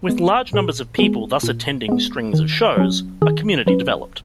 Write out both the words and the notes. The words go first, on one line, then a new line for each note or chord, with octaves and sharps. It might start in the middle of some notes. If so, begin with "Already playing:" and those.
With large numbers of people thus attending strings of shows, a community developed.
G#3 B3
A#2 G#4
G#3 B3 G#4
A#2
G#3 B3
D#3
F#3 C#4
D#3 G#4
F#3 C#4 B4